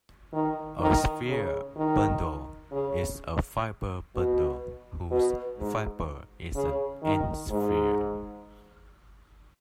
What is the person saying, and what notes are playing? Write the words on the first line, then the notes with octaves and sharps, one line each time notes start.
A sphere bundle is a fiber bundle whose fiber is an "n"-sphere.
D#3
D#3
C#3
D#3
C#3
B2
B2
G#2
C#3
D#3
G#2